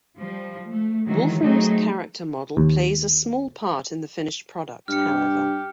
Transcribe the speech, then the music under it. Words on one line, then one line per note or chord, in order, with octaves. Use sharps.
Wolfram's character model plays a small part in the finished product, however.
F3 G3
A3
D#3 E3 F#3 G#3
F#3 A3 C4 D#4 G#4
D#2
G2 G4 F6 C#7